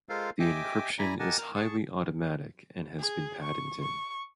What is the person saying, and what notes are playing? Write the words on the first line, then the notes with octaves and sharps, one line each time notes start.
The encryption is highly automatic and has been patented.
G#3 F4 A4 A#4 C5 F5
G4 D#5 E5 G5 G#5 D6
E4 D5 G#5 A#5 B5
G4 A#4 D#5 F#5 G#5 A5
A#4 F6
G#4 A5 C#6
G#4
C#6
C#6